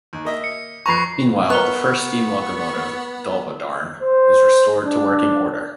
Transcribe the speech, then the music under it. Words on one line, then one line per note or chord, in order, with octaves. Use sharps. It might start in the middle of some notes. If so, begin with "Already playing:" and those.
Meanwhile, the first steam locomotive, "Dolbadarn", was restored to working order.
D#2
A#3 D#5 E5
C#7
F2 B4 A#5 C#6 C7
B3 A#4 B4 A#5 C#6 F#6
C5
D4